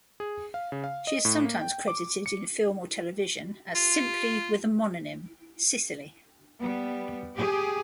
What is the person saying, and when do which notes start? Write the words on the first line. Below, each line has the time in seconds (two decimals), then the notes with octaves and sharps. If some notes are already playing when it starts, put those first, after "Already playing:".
She is sometimes credited in film or television as simply with a mononym Sicily.
0.20 G#4
0.54 F5
0.72 C#3
0.84 F5
1.07 D#5
1.25 A2
1.45 A#3
1.61 G5
1.88 D6
2.26 C#7
3.75 F4
6.60 G3 B3
7.36 G4 G#4